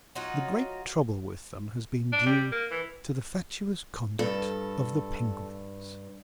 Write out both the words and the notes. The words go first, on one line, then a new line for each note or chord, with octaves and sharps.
The great trouble with them has been due to the fatuous conduct of the penguins.
F#3 D#4 F4 F#4
D4
G3
A#3
E3
G2 A4